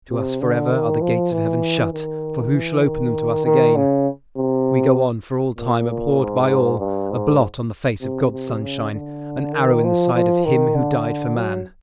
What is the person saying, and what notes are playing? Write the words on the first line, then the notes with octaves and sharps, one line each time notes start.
To us for ever are the gates of heaven shut; for who shall open them to us again? We go on for all time abhorred by all; a blot on the face of God's sunshine; an arrow in the side of Him who died for man.
C3
D3
D#3
F3
E3
D#3
E3
D#3
D#3
C#3
C3
A#2
G#2
G2
G#2
C3
C3
C#3
D3
D#3
F3
F3
D#3
D3
F#3